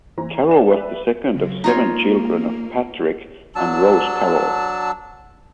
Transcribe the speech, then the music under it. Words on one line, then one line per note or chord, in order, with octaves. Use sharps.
Carroll was the second of seven children of Patrick and Rose Carroll.
E3 C5 A#5
D5 E7
B4 D5 E5
C#3 F#3 G#3
A#3 D#4 F4 C#5
F#3 D4 A5 E6